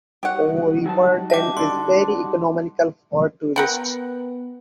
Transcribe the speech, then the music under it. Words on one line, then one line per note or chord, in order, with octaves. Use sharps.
Corriverton is very economical for tourists.
G3 D#4 F#4 G4 C#5 F#5
F#3 G#5 A5
D#5 E5 G5 A5 D6
D3 D4 C6
B3 A#4 F#5 G5